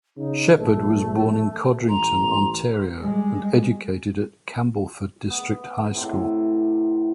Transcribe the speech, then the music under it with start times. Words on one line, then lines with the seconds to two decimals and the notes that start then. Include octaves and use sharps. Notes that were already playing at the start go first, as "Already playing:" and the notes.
Sheppard was born in Codrington, Ontario, and educated at Campbellford District High School.
0.17 C#3 D#4
0.56 A#1 A3
1.89 A1 A#5 C6
3.00 G3 G#3
5.30 B3
5.95 A2 C3